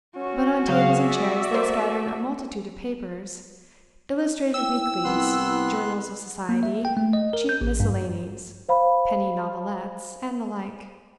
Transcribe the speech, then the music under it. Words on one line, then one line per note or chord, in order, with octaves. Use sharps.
But on tables and chairs lay scattered a multitude of papers: illustrated weeklies, journals of society, cheap miscellanies, penny novelettes, and the like.
C#4 F#4
C#3 F#3 G#3 G#4 F5 F#5 G6
D5 E5
A3 A#4 C5
E4 G5 E6
C2 B3 C6 F#6
A#3
E5
G5
A3
D#5
A#4
G6
A1
G2
C5 F5 B5